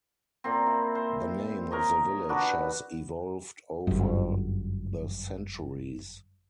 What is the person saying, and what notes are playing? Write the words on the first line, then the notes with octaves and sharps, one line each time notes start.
The name of the village has evolved over the centuries.
A#2 C4
E4
C5
A#4 C#5 D#5
D4 F#4 B4
G1 F#2